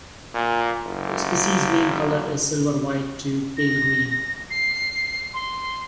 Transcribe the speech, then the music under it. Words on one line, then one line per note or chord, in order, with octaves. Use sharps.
The species' main color is silver-white to pale green.
A#2
F#1
A#6
C7
C6